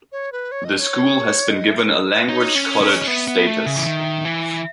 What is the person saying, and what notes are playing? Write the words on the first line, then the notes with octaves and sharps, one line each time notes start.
The school has been given a Language College status.
C#5
B4
C#5
D#5
C#5
D#5
E5
B4
A4
B4
D#4 C#5
C#4
C#4
D#5
B3 E5
B3
A3
C#3
E3
D#3
E3